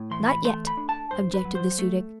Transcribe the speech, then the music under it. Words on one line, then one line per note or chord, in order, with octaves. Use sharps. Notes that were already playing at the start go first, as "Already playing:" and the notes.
"Not yet," objected the Su-dic.
Already playing: A2
E3 C6
B5
A3 C6
B5
D4
A5
G2 C5
B4
F#3
C5
A3